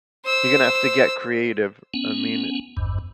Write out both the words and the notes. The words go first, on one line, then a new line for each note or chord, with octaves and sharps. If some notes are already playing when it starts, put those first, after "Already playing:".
You're gonna have to get creative, I mean,
C5 E6
B3 C#4
G#1 E2 G2